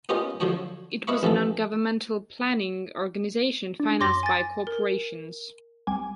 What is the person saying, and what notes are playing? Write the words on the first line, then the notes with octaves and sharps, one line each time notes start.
It was a non-governmental planning organisation financed by corporations.
B3 C#4 F4 G4 A#4 D#5
D3 F3 F#3 F#4 C#5 G#5
E4 B4 D#5 F5 B5 C#6
A1 F2 E3 A4
D4
F#2 C6 D6 A#6
G#5 A6
A#4
C2 G3 G#5